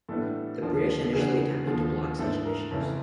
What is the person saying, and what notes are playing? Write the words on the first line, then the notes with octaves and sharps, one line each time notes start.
The British initially attempted to block such initiatives.
A2 E3 G3 B3 D4 A4
D#2 D3 F3 A#3 D4
E2 C#3 F#3 B3 D4 G#4
D#2 D3 F3
G#2 E3 A3 D4 A4
A#4
F2 C#3 E3 A3 C#4